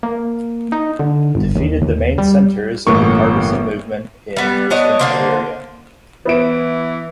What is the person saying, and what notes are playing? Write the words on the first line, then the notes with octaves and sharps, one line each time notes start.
Defeated the main centers of the partisan movement in Eastern Siberia.
A#3
D#4
D3
G1
D#2
D#2
G3
G1 A2 E3 A#3 C#6
G3 B3
B3 D4 C#5 D#5
D3 A#3 C5
E3 B3 E4 D7